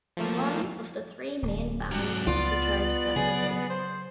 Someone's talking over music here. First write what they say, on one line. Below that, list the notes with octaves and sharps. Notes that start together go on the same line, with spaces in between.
One of the three main bands of the tribe settled here.
F3 A3 A#3
D1
G#2 F#3 D4
C#2 F3 B3 F4 D5
C#3 F#3 G#4
C5